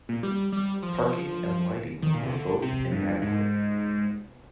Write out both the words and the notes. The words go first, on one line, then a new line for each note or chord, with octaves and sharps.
Parking and lighting were both inadequate.
A#2
G3
G3
F3
D#3
A#2
C3
D3
C3
G2
G#2